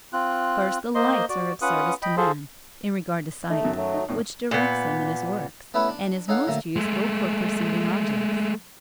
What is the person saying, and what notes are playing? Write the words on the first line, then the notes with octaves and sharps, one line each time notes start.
First, the lights are of service to man, in regard to sight, which directs him in his works, and is most useful for perceiving objects.
C4 F4 F#6
A#3 C5 D#5 C6
F#4 D5
C#4 F4 B4 F#5 D#6 F#6
D#5 G5 B5
F4 G#4 A4 C5
A3 D#4
F#2 D#3
F#3 A3
D#4
E2 A2 D#3
A#2 B3
A3 B3 C#4 E4 B4 C#5
D4
C#4 D#4 A4 C#5 F5 F#5
D3 F#3 A3 A#3
G#3 A3